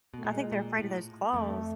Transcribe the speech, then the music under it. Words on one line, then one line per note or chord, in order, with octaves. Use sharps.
I think they're afraid of those claws.
B2 A3
A#2 G#3
A#2
A2
F2 A3